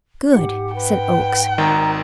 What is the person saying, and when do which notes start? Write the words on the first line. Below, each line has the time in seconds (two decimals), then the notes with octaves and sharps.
"Good!" said Oakes.
0.33 G#2 G4 F#5
0.74 B4 G5
1.58 G#1 D#3 A#5